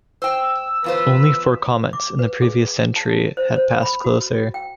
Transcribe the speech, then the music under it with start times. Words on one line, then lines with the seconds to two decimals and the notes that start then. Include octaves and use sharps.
Only four comets in the previous century had passed closer.
0.22 C5 G5 E6
0.84 E2 F4 B4 C5
1.93 D6
2.19 B4
2.42 G#4
2.96 A5
3.37 C5
3.56 C5
3.83 B5
4.04 F#4
4.54 G5